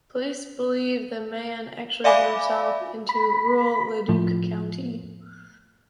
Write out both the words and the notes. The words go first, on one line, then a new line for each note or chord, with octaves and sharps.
Police believe the man actually drove south into rural Leduc County.
D5 E5 F5 G#5 B5 D6
B5
A2 F3